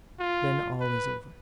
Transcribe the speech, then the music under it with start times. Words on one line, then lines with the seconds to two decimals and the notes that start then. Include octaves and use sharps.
Then all is over.
0.19 F4
0.80 B4